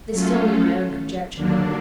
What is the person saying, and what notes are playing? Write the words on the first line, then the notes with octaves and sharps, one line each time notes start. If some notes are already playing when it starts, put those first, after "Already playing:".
This is only my own conjecture, mind.
F#3 A3 C#4 F4 A4
D#2 D3 F#3 A#3 D4